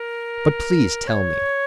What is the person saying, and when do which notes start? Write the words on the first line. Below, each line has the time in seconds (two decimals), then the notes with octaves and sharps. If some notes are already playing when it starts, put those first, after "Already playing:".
"But please tell me."
Already playing: A#4
1.07 C#5